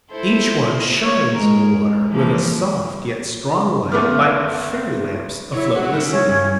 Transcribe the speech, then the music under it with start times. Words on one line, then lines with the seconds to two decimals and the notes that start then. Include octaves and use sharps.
Each one shines in the water, with a soft yet strong light, like fairy lamps afloat in the sea.
0.11 E4 A4 C5
1.03 C#5
1.35 G#3 A#4
1.69 G#3
2.09 E3 F3 A#3
3.92 F#1 A3 B3 D6 F6
5.54 F#3 E4 C#5
5.75 F#3 F#4 F#5
5.91 G3 E4
6.10 C#4
6.28 G2